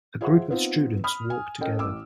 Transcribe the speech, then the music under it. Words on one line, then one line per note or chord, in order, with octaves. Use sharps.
A group of students walk together.
F4 G#4 C5 E5 F#5
B3 C4 D#4 F4
B5 D#6 F6
G#5
C#4 A4 A#4 D#5 G5
A1 D6 E6